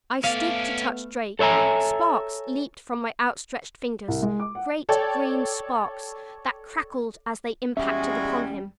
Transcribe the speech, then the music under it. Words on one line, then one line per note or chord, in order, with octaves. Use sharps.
I stooped to touch Drake; sparks leaped from my outstretched fingers, great green sparks that crackled as they impacted upon him.
A3 B3 C#4 D5 F5
A4 C#5 E5 G#5 A#5
C2
G#3
D6
F#5
A4 C#5 D5 G5
E2 G3 G#3 C#4 F#4 G#4 E5 G#5